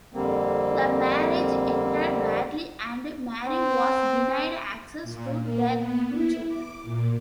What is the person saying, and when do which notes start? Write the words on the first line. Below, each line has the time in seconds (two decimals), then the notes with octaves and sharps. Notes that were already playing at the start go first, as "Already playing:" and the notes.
The marriage ended badly and Mary was denied access to their two children.
0.14 F2 D3 G3 A#3 C4
3.48 C4
5.03 A#2
5.41 A#3
5.74 B3
6.11 E4
6.46 D6
6.84 A#2